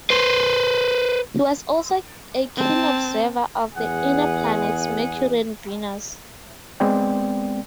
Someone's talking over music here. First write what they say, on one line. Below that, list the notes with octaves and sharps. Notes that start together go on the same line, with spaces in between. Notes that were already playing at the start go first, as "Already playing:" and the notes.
He was also a keen observer of the inner planets Mercury and Venus.
B4 C5
C4 A5
E2 G#4 F#5
G#3 B3 C4 D5 G5